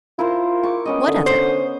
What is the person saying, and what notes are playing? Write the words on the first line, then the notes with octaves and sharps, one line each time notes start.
"What other?"
E4 F4 A#4 C5
C#6 D6
B3 C#4 D#5
D3
C5